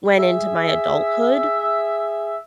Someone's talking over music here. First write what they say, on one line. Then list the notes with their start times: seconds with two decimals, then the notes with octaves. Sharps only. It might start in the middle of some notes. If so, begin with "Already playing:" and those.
went into my adulthood.
0.16 G#4 E5